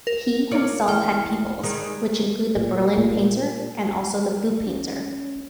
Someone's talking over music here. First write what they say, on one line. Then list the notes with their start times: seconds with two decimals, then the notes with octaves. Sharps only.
He himself had pupils, which include the Berlin Painter and also the Boot Painter.
0.07 A#4
0.51 F4 C#5 D5
0.88 E2 D#3 G5 F6
1.63 D#3 G3 G#3
2.57 A#2
2.98 A#2
4.66 C#4